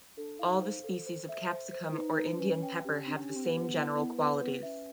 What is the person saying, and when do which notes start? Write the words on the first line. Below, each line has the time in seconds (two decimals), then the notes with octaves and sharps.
All the species of the Capsicum or Indian pepper have the same general qualities.
0.17 D4 A4
0.39 E4 F5
0.47 D#4
0.62 C5
0.84 A4
1.07 C5
1.29 E5
1.51 C5
1.73 C5
1.91 E4
1.95 D#4 B4
2.18 B4
2.34 D4
2.39 C#4 B4
2.63 G5
2.85 C#4 G4
3.05 C4 D4
3.14 C#4
3.29 G4
3.36 C4
3.44 B3
3.52 B4
3.74 E4
3.96 E4
4.18 B4
4.40 B4
4.63 C#4 E5